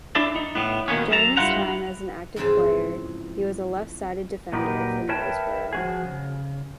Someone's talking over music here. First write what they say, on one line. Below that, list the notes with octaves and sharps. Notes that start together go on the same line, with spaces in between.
During his time as an active player, he was a left-sided defender for Middlesbrough.
D4 E4 A4 D5 E5 A5
D#4
A2 B3
B2 D#3 A#3 B3 C#4
F#2 A4 A5 A#5
G2 F#3 E4 F4 F#5 A#5
F2 G#2 C#3 E3 C4 A5
A#2 F#3 D#4 G4 A#4 B4
A#4 B4 C#5 E5 G5 A5
F3 F#4 G#4
C#3